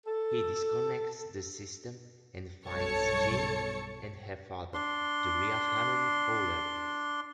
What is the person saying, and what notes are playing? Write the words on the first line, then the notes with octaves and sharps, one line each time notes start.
He disconnects the system and finds Jane and her father, the real Hannon Fuller.
A4
B1 G2 A4 C#5 A5 C#7
D4 C6